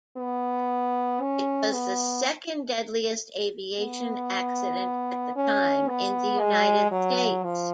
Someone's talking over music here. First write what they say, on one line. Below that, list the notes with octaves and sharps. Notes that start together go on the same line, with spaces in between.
It was the second-deadliest aviation accident at the time in the United States.
B3
C#4
B3
B3
C#4
B3
G#3
F#3
F3